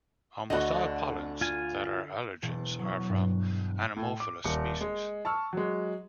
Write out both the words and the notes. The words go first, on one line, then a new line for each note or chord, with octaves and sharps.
Almost all pollens that are allergens are from anemophilous species.
D2 D3 F#4 D5 D#5 F#6
F4 G#5
E1
F#3
G2
A2
D6
D#1 C#7
G#3
A5 C#6 E6 F6
F#3 G#3